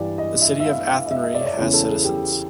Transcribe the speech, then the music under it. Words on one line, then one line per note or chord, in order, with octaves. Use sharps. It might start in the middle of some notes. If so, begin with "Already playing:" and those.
The city of Athenry has citizens.
Already playing: G2 E3 G3 D5
D#5
E5
E5
F5
F5
D#5
E5
D#5
D5
C#5
D5
E2 C#3 E3 C#5
A4
G#4
G4